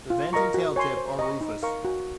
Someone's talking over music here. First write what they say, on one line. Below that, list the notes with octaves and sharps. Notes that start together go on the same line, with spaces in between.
The vent and tail-tip are rufous.
F4
A#4 D#5 A#5 C#6
F#4
C#5 G#5 C6
C5
D#5 A#5 C#6
D#4
A#4 F5 A#5 C#6
F#4